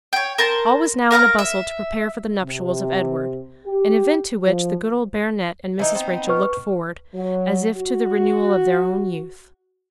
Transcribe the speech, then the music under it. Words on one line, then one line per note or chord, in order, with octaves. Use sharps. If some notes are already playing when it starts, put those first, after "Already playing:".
All was now in a bustle to prepare for the nuptials of Edward, an event to which the good old Baronet and Mrs. Rachel looked forward as if to the renewal of their own youth.
C#5 G5
A#4 C5 A5
A#4 F5 F#5 A#5
E5
C3
G4
F3
E3 D#4
B3 C4 D#4
B4 C#6 F6
F#3
F#4